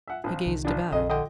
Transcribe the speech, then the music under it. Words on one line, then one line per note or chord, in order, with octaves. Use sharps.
He gazed about.
E5 F#5
A#1 F3 C4
C2 D#3
A#1 D4
A#1 F2 D#5
D3 D#5 G5